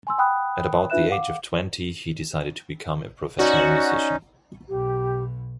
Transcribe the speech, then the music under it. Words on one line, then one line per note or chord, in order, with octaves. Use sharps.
At about the age of twenty, he decided to become a professional musician.
G#5 C6 E6
F#5 G5 B5 D#6 F#6
D4 F4 B4 E5 F#6 E7
F5 F#5 D6
C#4 D#4 F#4 D5
B1 B2 G4